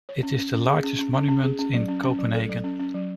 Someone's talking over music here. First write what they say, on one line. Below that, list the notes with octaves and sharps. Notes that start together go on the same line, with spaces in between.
It is the largest monument in Copenhagen.
C#5
C#4
C#4
C#4
G#4
C#4
C#4
C#4
C#4
G#4
C#4
F#3
C#4
C#4
F#3
A4
F#3
C#4
C#4
F#3